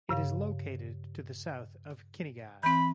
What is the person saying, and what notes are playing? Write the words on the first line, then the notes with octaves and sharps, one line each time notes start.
It is located to the south of Kinnegad.
G2 C#3 F5
E3 C4 B5